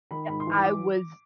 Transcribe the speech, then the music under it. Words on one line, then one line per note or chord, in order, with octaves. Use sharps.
Yep, I was
D#3 B5
G#2 B5
C6
E3 D6
D6